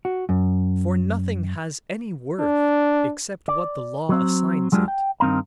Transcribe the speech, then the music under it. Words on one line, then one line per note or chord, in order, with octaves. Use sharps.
For nothing has any worth except what the law assigns it.
F#4
F#2
D4
D5
F#3 C4
F#3 G#3 D4 F4 G4
G5
G2 D#3 C4 F5 A#5